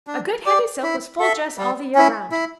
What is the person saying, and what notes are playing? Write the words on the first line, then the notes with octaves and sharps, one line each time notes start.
A good heavy silk was full dress all the year 'round.
D4
G4 D5
E4
A4 E5
G3
C#4 E4
E4